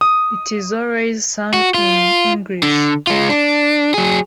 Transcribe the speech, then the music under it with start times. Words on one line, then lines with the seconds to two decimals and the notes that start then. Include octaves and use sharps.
It is always sung in English.
0.01 D#6
1.54 F#4
1.74 F4
2.63 D3
3.07 G#3 F4
3.29 D4
3.94 F#3 G#4